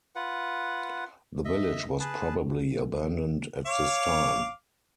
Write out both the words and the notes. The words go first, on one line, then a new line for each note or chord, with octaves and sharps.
The village was probably abandoned at this time.
F4 B4 F#5
D#5 E5
G#4 B4 A5
C#5 F5 D6